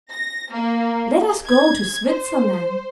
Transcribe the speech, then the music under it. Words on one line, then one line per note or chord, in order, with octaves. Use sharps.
Let us go to Switzerland!
A#6
A#3
G#6
C5